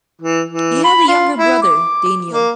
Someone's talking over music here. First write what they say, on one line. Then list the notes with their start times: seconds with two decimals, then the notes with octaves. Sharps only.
He had a younger brother, Daniel.
0.22 E3
0.49 E3
0.84 B5
1.08 F4
1.39 E4
1.62 D6
2.32 A#3